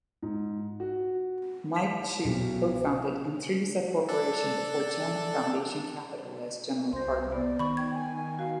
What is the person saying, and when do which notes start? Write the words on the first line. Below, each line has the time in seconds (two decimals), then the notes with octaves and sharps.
Mike Schuh co-founded Intrinsa Corporation before joining Foundation Capital as General Partner.
0.22 G#2
0.80 F#4
1.76 B6
2.24 B1
4.09 D4 A4
6.93 C2 C5 C6 A#6
7.32 B3 D5
7.59 D#3 B5 C#6
7.77 G5 G#6
7.94 G#5
8.39 F#4 F5